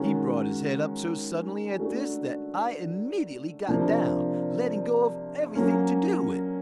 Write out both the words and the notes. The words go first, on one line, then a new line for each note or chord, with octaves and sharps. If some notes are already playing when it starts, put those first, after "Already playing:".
He brought his head up so suddenly at this that I immediately got down, letting go of everything to do it.
Already playing: D#3 G#3 C#4 F#4 A#4
A3 D4 F#4 A4
C3 F3 A#3 D4
F#3 A#3 C#4